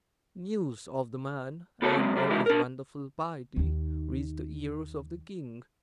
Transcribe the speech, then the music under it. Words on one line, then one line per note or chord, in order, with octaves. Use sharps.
News of the man and of his wonderful piety reached the ears of the king.
B3 F#4 A4 C5 C#5
F#3 G#3 C4
F#3 G4 A4
E3 G#3 D#4 E4 F#4 G4
D4 A#4
D#2 D#3